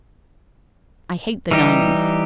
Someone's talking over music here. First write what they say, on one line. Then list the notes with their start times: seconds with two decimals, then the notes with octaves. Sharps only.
I hate the diamonds.
1.51 E3 G3 D#4 G4